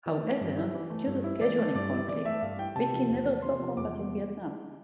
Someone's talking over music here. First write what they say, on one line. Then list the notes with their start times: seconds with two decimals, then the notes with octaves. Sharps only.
However, due to scheduling conflicts, Witkin never saw combat in Vietnam.
0.06 E3 D5
0.23 A3
0.41 G2
0.57 E4
0.74 E3
0.90 A3
1.07 G2
1.24 E4
1.41 E3 D5
1.58 A3
1.75 G2 D5
1.91 E4
2.08 E3 D5
2.25 A3 E5
2.42 G2 F5
2.59 E4 G5
2.75 C3 A5
2.93 F3
3.09 E2
3.25 A#3
3.42 C3 C6
3.59 F3
3.76 E2 D6